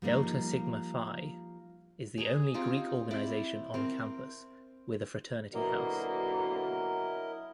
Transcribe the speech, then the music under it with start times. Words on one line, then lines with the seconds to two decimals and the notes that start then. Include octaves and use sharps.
Delta Sigma Phi is the only Greek organization on campus with a fraternity house.
0.02 F3 G3 A#3 D#4
2.18 G#4 G#5 A#5
2.54 C4 D#4 F4 G4
3.11 C4 E4 D5
3.74 C4 A#4
5.54 B2 D3 F#3 A#3 E4 A#4 D#5